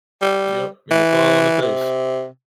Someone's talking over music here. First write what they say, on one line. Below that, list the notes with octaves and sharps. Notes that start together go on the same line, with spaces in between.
Yep, and it's all on the face.
G3
E3
C3